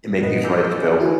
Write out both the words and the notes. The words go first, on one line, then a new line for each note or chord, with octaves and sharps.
and make these rights available."
G2 A#2 B4 D#5 F#5
G#5 A#5 D6 E6 G6
E4 F#4 B4 G#5